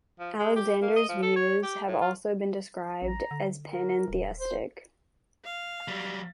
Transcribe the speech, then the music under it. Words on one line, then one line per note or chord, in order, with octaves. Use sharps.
Alexander's views have also been described as panentheistic.
F3
G#3
G4
A#3
D#5
F3
A4
C#5
G4
A2
F4
A1 A#5
D3
A#4
D#1
C5
F5
F#3 G3